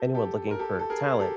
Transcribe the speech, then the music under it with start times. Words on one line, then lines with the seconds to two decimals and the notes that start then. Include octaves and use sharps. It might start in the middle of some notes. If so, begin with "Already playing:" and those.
anyone looking for talent.
Already playing: G4 A4
0.15 G4 A4
0.51 A#4
0.59 G4 A4
0.79 A4
0.90 G#4 A#4
1.20 G4 A4